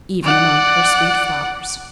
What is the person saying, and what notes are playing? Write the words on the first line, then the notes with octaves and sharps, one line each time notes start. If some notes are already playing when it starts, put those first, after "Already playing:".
Even among her sweet flowers.
D5 F#5